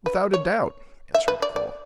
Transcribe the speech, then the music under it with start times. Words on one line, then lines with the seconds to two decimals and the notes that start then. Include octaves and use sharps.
"Without a doubt!" answered Nicholl.
0.06 B4
0.34 C#5
1.14 E5
1.28 B4
1.42 D5
1.56 D5